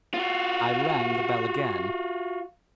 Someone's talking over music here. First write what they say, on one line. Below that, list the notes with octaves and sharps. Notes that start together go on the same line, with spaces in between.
I rang the bell again.
F4 F#4